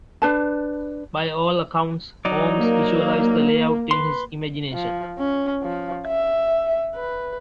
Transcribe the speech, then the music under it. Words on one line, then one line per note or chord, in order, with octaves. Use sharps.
By all accounts, Holmes visualised the layout in his imagination.
D4 B4 A5
F#3 D#4 D5
A#3
B4 C6
F3
C#4
F3
E5
B4